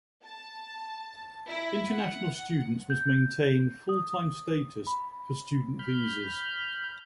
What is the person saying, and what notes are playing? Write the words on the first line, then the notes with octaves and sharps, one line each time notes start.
International students must maintain full-time status for student visas.
A5
E4
F#5
G6
D#6
B5
B5 F6 G6